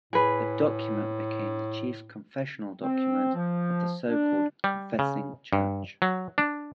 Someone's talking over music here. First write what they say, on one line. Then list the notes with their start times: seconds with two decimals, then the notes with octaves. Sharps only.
The document became the chief confessional document of the so-called Confessing Church.
0.13 A2 G#4 B4
2.81 C4
3.34 F3
4.09 D4
4.64 G3
4.99 C#3
5.53 G2
6.02 F#3
6.38 D4